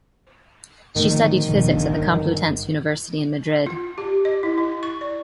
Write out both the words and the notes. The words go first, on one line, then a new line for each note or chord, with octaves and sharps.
She studied physics at the Complutense University in Madrid.
A2 D3 D#3 F3
D#1 B2 F3
F#1 A#2 D4
G1
F4
G4
D#5
E4
E4
C#6
D5